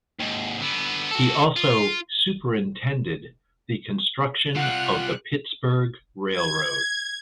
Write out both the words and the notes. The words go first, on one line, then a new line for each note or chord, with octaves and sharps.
He also superintended the construction of the Pittsburg Railroad.
D#2 G#2
D3 B3
F#4 A4
F4
C3 G3 F4 F#5 F#6
G#6